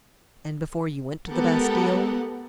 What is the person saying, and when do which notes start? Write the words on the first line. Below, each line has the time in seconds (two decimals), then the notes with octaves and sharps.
"And before you went to the Bastile?"
1.31 G#3 B3 G4 A4 A#4 F#5